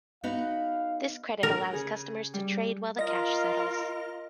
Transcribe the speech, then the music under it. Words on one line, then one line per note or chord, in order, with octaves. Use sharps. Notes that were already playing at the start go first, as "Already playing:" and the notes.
This credit allows customers to trade while the cash settles.
B3 D#4 F#4 F5
A#4
C#3 G#4
G3
F4 A#4 D#5 A#6